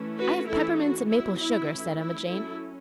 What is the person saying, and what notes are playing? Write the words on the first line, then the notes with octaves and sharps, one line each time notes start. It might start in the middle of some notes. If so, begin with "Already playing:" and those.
"I have peppermints and maple sugar," said Emma Jane.
Already playing: E3 A3 C#4
F#4 B4
E3 A3 C#4 E4 A4
F#4
F#3 B3 E4
E4
E3 A3 C#4
E4
F#3 C#4 E4 A4